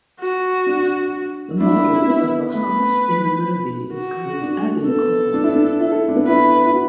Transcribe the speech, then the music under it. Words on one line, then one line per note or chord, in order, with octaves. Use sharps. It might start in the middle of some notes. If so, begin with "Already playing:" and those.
The model of the heart in the movie is called AviCor.
F#4
D4
D4 E4
B3
A3 B4
F#4
D4
B3 A4
D4
E4
D4
E4
A4
D4
B3
E4 B4
E4
F#4